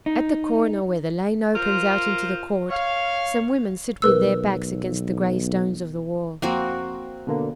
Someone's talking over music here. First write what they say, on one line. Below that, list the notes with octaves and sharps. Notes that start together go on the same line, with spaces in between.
At the corner where the lane opens out into the court, some women sit with their backs against the gray stones of the wall.
D#4
F4 A#4 C5
C#5 F5
B1 A#4 B4 E6
F2 A#3 C4 F#4
B2 D3 A#3